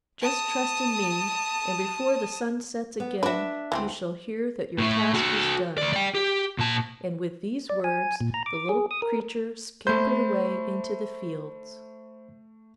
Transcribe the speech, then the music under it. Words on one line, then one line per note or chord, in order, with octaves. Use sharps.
Just trust in me, and before the sun sets again you shall hear that your task is done.' And with these words the little creature scampered away into the fields.
A5 D#6
B3
D4 F#4 B4 E5
D2 E3 A3 C4
A2 E4
F#4 A4
D2 D5
D5 G5
G4
A#2 A5
D5
G#5
A#2
A#5
D6
G#4
D#6
A#4
A3 C5 B5 G6